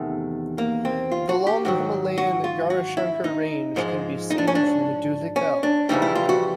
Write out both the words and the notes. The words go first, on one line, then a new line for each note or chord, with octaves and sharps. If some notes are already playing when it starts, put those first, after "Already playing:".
The Long Himalayan Gaurishankar range can be seen from Dhulikhel.
Already playing: E2 C3 D#3 A3
A#3
C4
F4
F#4
G4
G#2 D#3 F#3 F#4
F#4
F4
F#4
E4
D#4
G#2 F3 G#3
D#4
D4
C#4
D4
C#4
D4
F2 C#3 E3 G3 D#4
E4
F4
F#4